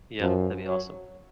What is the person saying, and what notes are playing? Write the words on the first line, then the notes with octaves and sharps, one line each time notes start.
Yeah. That'd be awesome.
F#2 F3
F#3